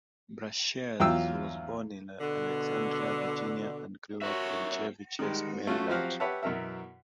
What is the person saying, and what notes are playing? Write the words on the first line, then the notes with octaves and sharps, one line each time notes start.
Brashares was born in Alexandria, Virginia and grew up in Chevy Chase, Maryland.
E2 F#3 F4 F5 G5 E6
B2 D3
F#4 A#4 C#5 E5
D#3 G3 G#3
A3 C#4 F4 F#4
F3 F#3 C4 F#4 G4 F5
G4 B4 C#5 E5 F#5 A5
F#2 B2 E3 A#4 E5